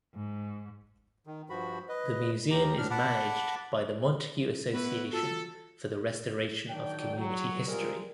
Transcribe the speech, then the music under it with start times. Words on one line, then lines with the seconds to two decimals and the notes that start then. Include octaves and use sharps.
The museum is managed by the Montague Association for the Restoration of Community History.
0.14 G#2
1.26 D#3
1.50 G2 F3 F#4 B5
1.89 B4 D#5
2.51 D#2 G4 A#5
2.78 D2 A2 D4 F6
2.91 F#5 A5 B5 D6
4.73 B3 E4 F#4 B4
5.13 F4 F#4 A4
6.70 D#3 F#3 D4 D5 G5
7.17 F#3
7.67 G3 G#3 C4 F4 A#4